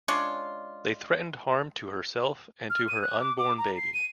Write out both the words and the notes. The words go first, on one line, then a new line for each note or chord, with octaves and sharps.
They threatened harm to herself and to her unborn baby.
G#3 C#4 D4 F4
F6
D#7
F#6
D6
D6
A#5
C7
D#7